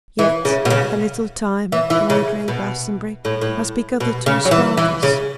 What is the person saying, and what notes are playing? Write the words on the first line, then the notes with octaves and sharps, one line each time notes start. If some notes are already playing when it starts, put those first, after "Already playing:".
Yet a little time and Adrian Glastonbury must be gathered to his fathers.
E3
C#3
B2
C#3
E3
E3
C#3
B2
A2
A2
B2
C#3
F#3
E3
E3
C#3